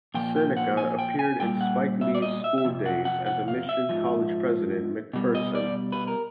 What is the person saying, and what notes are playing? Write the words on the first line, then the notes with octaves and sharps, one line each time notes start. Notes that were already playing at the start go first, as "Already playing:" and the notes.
Seneca appeared in Spike Lee's "School Daze" as Mission College President McPherson.
A#2 F3 G5
G5
F#5
G#5
G5
G#5
A#2 G3 G5
F#5
E5
D5
D#5
E5
E5
F2 C3
F#5
F#5
F#5
F5
E5
G#2 F3
B2 G3
D#5
D5
B4
A#4